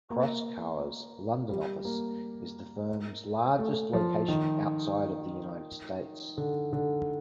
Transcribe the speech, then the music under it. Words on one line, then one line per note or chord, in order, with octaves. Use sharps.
Proskauer's London office is the firm's largest location outside of the United States.
A#3
G3
A#3
A3
F3
D#3
D3
D3